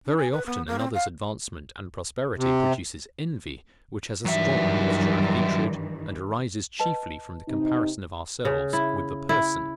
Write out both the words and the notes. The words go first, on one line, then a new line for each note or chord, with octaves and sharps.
Very often another's advancement and prosperity produces envy, which has a strong mixture of hatred, and arises chiefly from the comparison of ourselves with the person.
D4
G#5
B4
B3
A#3
C4
F5
C3
G2 D#3 E3 F#3 E5
B4 D#5 A5
C3 D#4
C#3
E4
E4